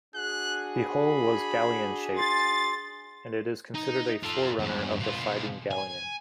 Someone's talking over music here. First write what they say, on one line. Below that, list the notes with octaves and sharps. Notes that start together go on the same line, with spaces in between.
The hull was galleon-shaped, and it is considered a forerunner of the fighting galleon.
D4 F#4 G#4 F#6
B5
C6 A6
D#4
F4 A4
E2 G2
B2 F4
G#5